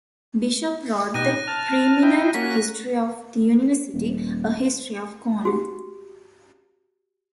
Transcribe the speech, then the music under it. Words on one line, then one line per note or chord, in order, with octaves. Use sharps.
Bishop wrote the preeminent history of the university, A History of Cornell.
B2 D#4 G4 F#6 A#6 D#7
A5 F6
D#4 E4 G5
A#3 C#4 F#4 B6
D#1
F#4 G4